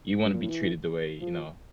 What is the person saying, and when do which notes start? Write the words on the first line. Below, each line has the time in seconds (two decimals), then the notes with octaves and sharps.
you wanna be treated the way, you know,
0.25 G2
0.33 A#2
0.41 A2
0.49 E3
1.21 F3